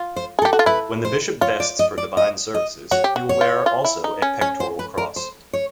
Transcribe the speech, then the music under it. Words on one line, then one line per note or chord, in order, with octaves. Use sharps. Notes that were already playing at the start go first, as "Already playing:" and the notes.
When the bishop vests for Divine Services, he will wear also a pectoral cross.
Already playing: F4
C5
G#4
A4
G4
F#4
F4
E4 B4
C5
F4 C#5
D5
D#5
D5
D#5
D#5
F#4 C#5
G4
F#4
C#5
F4
F4
E4
D#4
C#4
C#4 C#5
C5
B4
A#4
C5
C#5